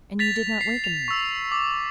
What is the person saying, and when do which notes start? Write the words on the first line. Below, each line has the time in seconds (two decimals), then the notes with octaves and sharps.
"And you did not awaken me?"
0.19 A6 B6 F7
0.61 C7
0.84 F7
1.08 C#6 E6
1.52 D6